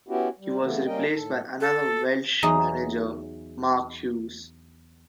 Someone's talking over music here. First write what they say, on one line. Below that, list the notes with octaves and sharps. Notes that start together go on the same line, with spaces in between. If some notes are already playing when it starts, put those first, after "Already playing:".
He was replaced by another Welsh manager, Mark Hughes.
B3 C#4 E4 F#4 G4
G3
C#3 E3 A3 B3
G3 A#3 C#4 A#4 D#5 G5
A2 A4
A4
E2 F#3 D#4 G#4